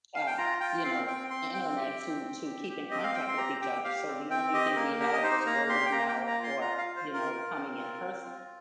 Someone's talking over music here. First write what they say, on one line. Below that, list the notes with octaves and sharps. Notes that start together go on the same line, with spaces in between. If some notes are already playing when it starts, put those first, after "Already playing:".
uh, you know, internet to to keep in contact with each other, so the only thing we had was word of mouth or, you know, coming in person.
F5
G5
F4 A#5
F4 G5
C4 F5
C4 G5
C4 C6
C4 G5
G4
C4
C4
G4
G4
C4 D#5
F5
C4 G5
C6
G4 A#5
G4 G5
G4 F5
C4
C4 G5
G4 D#5
A#3 A#4
G4 A#4
D#5
D#4 C5
A#3 A#5
G4 C6
G5
A#3 A#5
G5
A#3
A#5
F4
C6
F4 A#5
F5
F4
C5
F4
A#4
F4
C4
F4
C4
F4